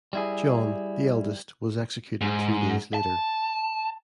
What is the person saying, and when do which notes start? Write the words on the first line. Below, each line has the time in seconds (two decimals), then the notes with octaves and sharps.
John, the eldest, was executed three days later.
0.13 G3 E4 G#4
2.21 G#2
2.94 A5